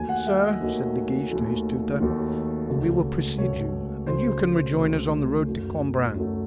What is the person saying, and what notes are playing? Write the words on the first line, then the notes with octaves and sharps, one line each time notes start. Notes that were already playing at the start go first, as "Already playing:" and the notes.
"Sir," said De Guiche to his tutor, "we will precede you, and you can rejoin us on the road to Cambrin."
Already playing: D#2 D#3 F#3 A3 G#5
F#5
E5
D#5
D#2 D#3 F#3 A3
D#2 D#3 F#3 A3
D#2 D#3 F#3 A3
C#2 C#3 F#3 A3
C#2 C#3 F#3 A3 C#5
C#2 C#3 F#3 A3 C5
C#2 C#3 F#3 A3
F#2 D#3 F#3 A3
F#2 D#3 F#3 A3